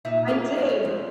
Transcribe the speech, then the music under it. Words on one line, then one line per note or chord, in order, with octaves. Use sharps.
I did.
A#2 D#4 E5
A#3 F4 G#4
D#5
C#4
F2 F3